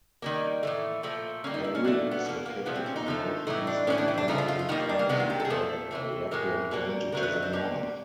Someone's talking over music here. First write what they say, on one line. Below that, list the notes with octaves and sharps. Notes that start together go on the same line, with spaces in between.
Peru is located in northeastern Bennington County, bordered by Rutland County to the north.
D#3 G3 A#3
A2 E3 A3
A#2 F3 A3
D3 G3 A#3 C#4
D#4
E4
C#4
A#2 F#3 A3 D4
B3
B2 G3 A#3
A#3
A#2 F3 A3 B3
C4
C#4
D#4
D3 F3 A3
A2 E3 A3 D#4
D4
A2 E3 G3 C#4
D4
E4
D4
C#3 F3 A3 D#4
F4
F4
F4
D#3 G3 A#3 D#4
D4
A#3
C3 D#3 G#3 B3
F4
G4
A4
G#4
A#2 F3 A3 A4
C3 E3 A3
A2 E3 G#3 A#4
B2 G3 A#3
D3 F#3 A3 A#4 C5
B4
D#5
C5
B2 G3 A#3 G4